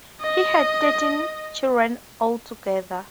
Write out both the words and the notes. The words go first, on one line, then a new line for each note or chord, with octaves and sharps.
He had thirteen children altogether.
D#5